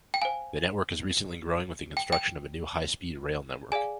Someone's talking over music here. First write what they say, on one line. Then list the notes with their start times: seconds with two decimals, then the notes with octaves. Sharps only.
The network is recently growing with the construction of the new high-speed rail network.
0.14 G5
0.22 C5 F5 G#5
1.97 G5
2.13 G5
3.72 G#4 D5 F5 G#5